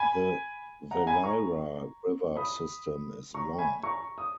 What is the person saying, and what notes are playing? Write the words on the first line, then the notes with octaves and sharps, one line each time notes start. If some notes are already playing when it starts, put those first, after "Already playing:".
The Valira river system is long.
Already playing: G#5 B5
F#5 A#5
G#5 B5
A#5 C#6
B5 D#6
A#5 C#6
G#5 B5
A#5 C#6
D#6